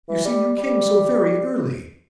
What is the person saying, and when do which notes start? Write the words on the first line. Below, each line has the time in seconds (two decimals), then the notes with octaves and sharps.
"You see you came so very early."
0.08 E3
0.25 G3
0.57 G3